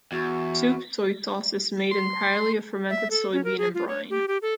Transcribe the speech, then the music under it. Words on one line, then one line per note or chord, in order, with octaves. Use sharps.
Soup soy sauce is made entirely of fermented soybean and brine.
E2 F#4
C6
E5
A4
C#4
A#4
G#4
F4
C#5
G4
G4
A4